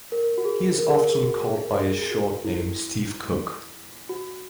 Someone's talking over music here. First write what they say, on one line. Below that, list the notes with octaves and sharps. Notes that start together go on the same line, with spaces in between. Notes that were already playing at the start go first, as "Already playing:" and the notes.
He is often called by his short name Steve Cook.
A#4
F#4
G#4
A#4
G#4
A#4
G#4
F#4
G#4
A#4
G#4
G#4
F#4
E4
F#4